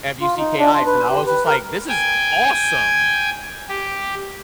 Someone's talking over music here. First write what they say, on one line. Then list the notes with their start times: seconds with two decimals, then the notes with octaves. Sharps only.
F U-C-K ICE, and I was just like, "This is awesome."
0.21 F4
0.38 D#4
0.59 D4
0.74 C6
0.86 B4
1.10 G4
1.27 B4
1.46 A#4
1.89 G5 G#5
3.68 G4